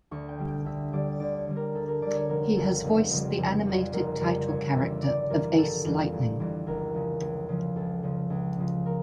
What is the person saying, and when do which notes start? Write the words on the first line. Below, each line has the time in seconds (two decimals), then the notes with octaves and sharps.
He has voiced the animated title character of Ace Lightning.
0.11 D2 C#6
0.29 G5
0.39 D3 G3
0.47 G5
0.65 D2 E5
0.93 D3 G3 D5
1.20 D2 D5
1.38 C#5
1.48 D3 G3
1.56 A#4
1.74 D2 A4
1.88 A#4
2.02 D3 G3 D5
2.16 C#5
2.29 F1 A#4
2.56 F2 C#3 G3 A4
2.84 F1
3.11 F2 C#3 G3
3.38 F1
3.66 F2 C#3 G3
3.93 F1 A#4
4.20 F2 C#3 G3
4.48 G1 C#5
4.75 F2 E3 G3 E5
5.02 G1 D5
5.30 F2 E3 G3 A#4
5.57 G1 A4
5.85 F2 E3 G3
6.12 G1
6.40 F2 E3 G3
6.66 C#2 A#4
6.94 C#3 F3
7.22 C#2
7.49 C#3 F3
7.76 C#2 A4
8.03 C#3 F3
8.30 C#2
8.58 C#3 F3
8.86 A#4